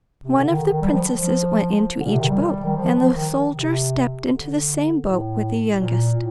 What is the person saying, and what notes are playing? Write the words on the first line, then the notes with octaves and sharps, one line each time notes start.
One of the princesses went into each boat, and the soldier stepped into the same boat with the youngest.
C3
D3
D#3
D#3
G3
F3
F3
D3
A#2
C3
D#3
G3
D#3
F3
F3
D#3
C3
D3
A2
A#2
A2